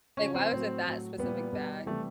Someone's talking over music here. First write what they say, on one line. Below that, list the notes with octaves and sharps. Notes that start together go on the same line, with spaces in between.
Like, why was it that specific bag?
C#3 F3 C#4
C4
A2 F#3
A2 F#3
A#2 G3 B3
B2 G3
C3 E3 G3 A3